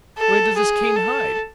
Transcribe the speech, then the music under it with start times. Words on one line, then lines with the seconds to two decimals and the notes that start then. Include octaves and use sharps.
Where does this Kane hide?
0.18 A4
0.56 G#4
0.96 A4